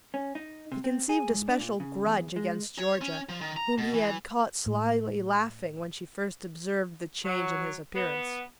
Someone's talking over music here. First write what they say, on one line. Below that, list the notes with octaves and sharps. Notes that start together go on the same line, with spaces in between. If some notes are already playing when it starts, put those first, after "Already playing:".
He conceived a special grudge against Georgia, whom he had caught slyly laughing when she first observed the change in his appearance.
C#4
D#4
C3
C4
G#4
G#2
D4
A#2
C#3
E2
G#3
C#5
C#4
F3
D#3
A#5
B2
E3
A2
F#3
B3